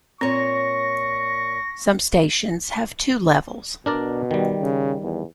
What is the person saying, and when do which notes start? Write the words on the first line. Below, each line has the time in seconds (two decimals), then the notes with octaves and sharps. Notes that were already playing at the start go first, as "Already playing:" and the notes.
Some stations have two levels.
0.21 A#2 C4 C#5 C#6 A#6
3.86 B2 D4 A#4 D5
4.31 D#3 G3
4.60 C#3
5.03 E2